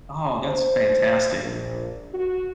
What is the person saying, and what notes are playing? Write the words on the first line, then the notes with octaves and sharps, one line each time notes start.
Oh, that's fantastic.
C5
A#1
F#4